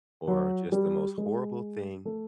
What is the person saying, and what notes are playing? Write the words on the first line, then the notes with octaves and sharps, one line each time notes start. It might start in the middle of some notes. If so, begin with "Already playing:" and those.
or just the most horrible thing
F#3
G3
G#3
A3